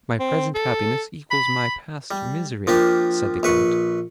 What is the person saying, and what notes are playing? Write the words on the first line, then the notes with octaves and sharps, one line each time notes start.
"My present happiness equals my past misery," said the count.
C4
A4
B5
G3
F3 A#3 D4 G4
A#1 B4 C#6